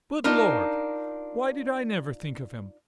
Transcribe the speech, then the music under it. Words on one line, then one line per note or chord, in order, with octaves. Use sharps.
Good Lord!--why did I never think of him?
D4 D#4 F4 A#4